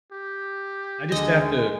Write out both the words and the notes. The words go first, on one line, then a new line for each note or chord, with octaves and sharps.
I just have to
G4
D2 D3 G#3 D#5